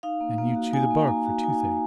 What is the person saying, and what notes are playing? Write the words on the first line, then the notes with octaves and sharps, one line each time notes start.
"And you chew the bark for toothache."
D#4 F5
A#3
A#3
F#4
D#4 G#5
A#3
A#5
A#3 G#5
F#4
D#4 G#5
A#3